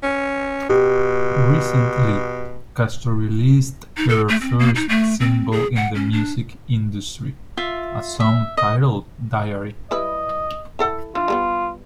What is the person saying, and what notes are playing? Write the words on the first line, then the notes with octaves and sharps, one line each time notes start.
Recently, Castro released her first single in the music industry, a song titled Diary.
C#4
B2 G4
D#4
A4
A3
C4
A#3
D#4
A3
C4
G#4
F#5
C#4
D4
F4 E5
E5
D#5
G3 E4 B4 D#5
E4 A4 F#5
E3 D4 F4
G3 A#3 B3